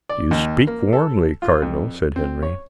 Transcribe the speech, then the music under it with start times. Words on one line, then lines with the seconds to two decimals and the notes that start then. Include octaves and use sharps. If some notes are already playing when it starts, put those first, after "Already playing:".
"You speak warmly, cardinal," said Henry.
0.09 D5
0.31 D#2
0.67 A#3
0.93 A4
1.42 F4
1.62 F2
2.16 C4
2.43 C#5